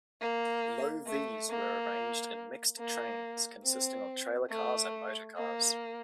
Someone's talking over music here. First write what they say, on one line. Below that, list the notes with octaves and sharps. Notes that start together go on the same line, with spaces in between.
Lo-Vs were arranged in mixed trains consisting of trailer cars and motor cars.
A#3
A3
A#3
A#3
C4
A3
A#3